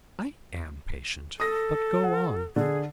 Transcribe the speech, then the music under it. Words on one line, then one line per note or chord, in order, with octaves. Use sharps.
"I am patient, but go on."
A4 D#6 A#6
F#5
D3 G#4